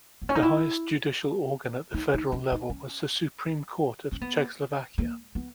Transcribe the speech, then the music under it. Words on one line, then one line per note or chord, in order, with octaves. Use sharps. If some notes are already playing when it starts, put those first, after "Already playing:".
The highest judicial organ at the federal level was the Supreme Court of Czechoslovakia.
B3
C#4
D#4
E4
D#4
D#4
C#4
D#4
C#4
C#4
B3
A#3
B3